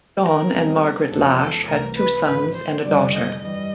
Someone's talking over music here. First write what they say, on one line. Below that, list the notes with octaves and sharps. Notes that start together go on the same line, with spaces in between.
Don and Margaret Lash had two sons and a daughter.
A#4
E2 B2 G3 C4
A#4
F1 E2 C#3 F3 A4
A4
C2 C3 E3 A3 A#4
B4
G#1 G#2 E3 B4
C5
F2 D3 G3 D5
D#5
G2 E3 G3 D#5